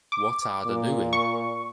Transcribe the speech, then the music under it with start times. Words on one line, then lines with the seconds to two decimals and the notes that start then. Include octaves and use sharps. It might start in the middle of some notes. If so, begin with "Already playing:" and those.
What are the doing?
0.12 D6
0.66 A#2
1.13 C#6